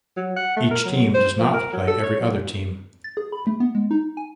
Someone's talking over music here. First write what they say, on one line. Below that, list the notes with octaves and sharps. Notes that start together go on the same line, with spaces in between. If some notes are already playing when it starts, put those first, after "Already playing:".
Each team does not play every other team.
F#3
F#5
A3
A#4
F#3
C5
F3
A#4
F#3
A4
C#5
F#3
A6
G#4
B5
A3
B3
G#3
D#4
G#5